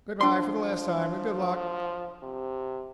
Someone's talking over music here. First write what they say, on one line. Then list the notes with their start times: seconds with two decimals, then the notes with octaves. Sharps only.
"Good-by for the last time, and good luck."
0.21 F3 D4 C6
2.23 C3